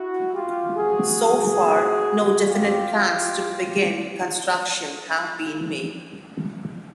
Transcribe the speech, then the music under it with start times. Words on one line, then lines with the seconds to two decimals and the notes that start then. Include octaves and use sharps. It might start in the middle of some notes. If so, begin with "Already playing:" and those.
So far, no definite plans to begin construction have been made.
Already playing: E4 F#4
0.33 F4 G4
0.76 E2 C3 D#3 G#3 F#4 G#4
1.62 G#2 F3 A3 C4
2.48 F#2 D#3 F#3 A3 C4 F4 G4
3.34 A2 F3 A#3